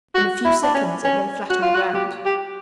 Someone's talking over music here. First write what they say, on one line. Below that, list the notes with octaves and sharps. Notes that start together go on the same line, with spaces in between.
In a few seconds it lay flat on the ground.
F#4
E4
D4
C#4
C#4
F#4
F4
F#4
G4
G4